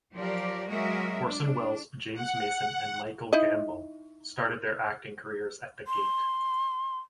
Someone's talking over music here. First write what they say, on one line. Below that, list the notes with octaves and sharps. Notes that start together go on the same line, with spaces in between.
Orson Welles, James Mason and Michael Gambon started their acting careers at The Gate.
F3 F#3 G4 A#4 D5
F#3 G#3 A#3 F#4 A#4 E5
D4
F#5
D#4 E4 D#5
C6